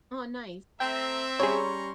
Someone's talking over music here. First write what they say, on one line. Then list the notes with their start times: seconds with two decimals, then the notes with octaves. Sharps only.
Oh, nice.
0.80 A3 C4 E5 G5 A#5
1.40 G3 C#4 G#4 C#5 A#5 C6 C#6